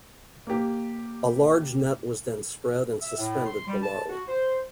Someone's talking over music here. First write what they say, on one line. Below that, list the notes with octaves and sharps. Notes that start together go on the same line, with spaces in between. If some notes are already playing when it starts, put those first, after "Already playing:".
A large net was then spread and suspended below.
A#3 G4
E5
A2
C6
G3
A5
F#4
C5